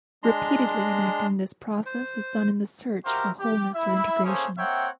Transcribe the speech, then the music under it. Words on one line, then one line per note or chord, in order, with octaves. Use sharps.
Repeatedly enacting this process is done in the search for wholeness or integration.
G#3 D4 A#5 C6
C5
F#4 G4 A#4 C5 E5 F5
G4
E4 E5
A3 A#3 C#4 G#4 C5 C#5
A#3 C4 C#5 E5 F#5 G5